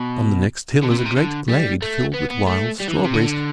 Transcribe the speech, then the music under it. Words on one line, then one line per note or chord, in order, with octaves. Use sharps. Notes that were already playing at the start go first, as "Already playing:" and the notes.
On the next hill is a great glade filled with wild strawberries.
Already playing: B2
D3
C3
B2
C3
D3
G3
A3
B3
B3
A3
G3
E3
D3
C3
D3